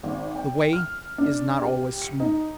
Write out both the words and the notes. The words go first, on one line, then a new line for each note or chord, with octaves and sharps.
The way is not always smooth.
G#1
G5
F6
D4
G4
C#7
D#4